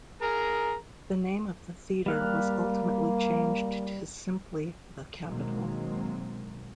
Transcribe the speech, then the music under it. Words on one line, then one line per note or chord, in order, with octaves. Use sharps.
The name of the theatre was ultimately changed to simply "the Capitol".
G#4 A#4 A#5
G3 A#3 F5 F#6
B2 D#3 F#3 G#3 A#3 C4